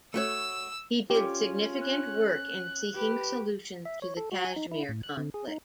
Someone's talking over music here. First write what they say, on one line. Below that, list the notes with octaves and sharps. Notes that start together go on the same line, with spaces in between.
He did significant work in seeking solutions to the Kashmir conflict.
A3 F#4 C#5 E6
C#4 F4 G4
F#6
G4 B4
E5
C#5
A4
F#4
G#5
D#4
E4
A2
F#6
D3
G#4
D#4